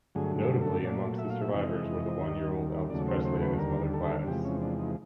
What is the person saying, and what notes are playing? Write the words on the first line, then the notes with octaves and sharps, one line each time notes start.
Notably, amongst the survivors were the one-year-old Elvis Presley and his mother, Gladys.
G2 D3 F#3 A3 G#4
G#4
A4
A#2 F#3 A3 D5
E5
F5
E5
F2 C3 E3 G#3 D#5
D#2 D#3 G3
D#2 C#3 F#3 A3 D5
C5
C5
B4
D#2 D3 G3 A#4
A4
E2 C3 F3 G#3 G4
C#4
D4
D#4